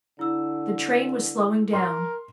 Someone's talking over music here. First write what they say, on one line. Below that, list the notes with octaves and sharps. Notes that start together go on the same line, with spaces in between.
The train was slowing down.
D3 E4 E6
A#4 C6